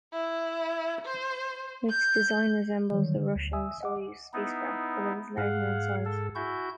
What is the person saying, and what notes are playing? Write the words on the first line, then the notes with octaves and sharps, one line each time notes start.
Its design resembles the Russian Soyuz spacecraft, but it is larger in size.
E4
C5
G6
D3 D#3 F#3 G3 C#5
D3
D2
E5 G#5 D#6 E6
D#5 F#5 D6
B3 D#4 E4
G#2 G#4 F5 F#5
A4
E4 F#4 G#5 G6